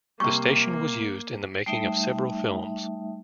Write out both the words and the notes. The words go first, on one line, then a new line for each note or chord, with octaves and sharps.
The station was used in the making of several films.
C3 G3 A#3 C#6
G3 A3 D#4 E5